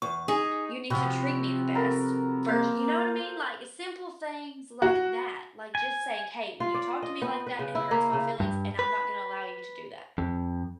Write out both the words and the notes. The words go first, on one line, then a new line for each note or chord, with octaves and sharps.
you need to treat me the best vers you know what I mean, like, simple things like that, like, just saying, “hey, when you talk to me like that, it hurts my feelings and I'm not gonna allow you to do that.”
E2 C#6
D#4 G#4
C3 F3 B3 C4 F#4
B3 A4 A#4
A#3 C5 F5
F#4
G#5
F4
D5
D#5
B3
B4
C#3
E4
A#3
C#3
G2
B4
F2